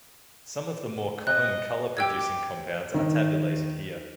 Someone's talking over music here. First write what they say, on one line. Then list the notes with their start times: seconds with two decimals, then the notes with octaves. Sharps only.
Some of the more common color-producing compounds are tabulated here.
1.27 D#5 F#6
1.97 G4 G5 E6 G#6
2.94 D#3